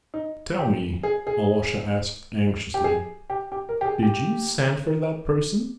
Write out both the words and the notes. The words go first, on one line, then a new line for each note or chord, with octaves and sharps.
"Tell me," Alyosha asked anxiously, "did you send for that person?"
D#4
G4
G#4
G#4
G4
G#4
G4
G4
A#4
G4
G#4
G4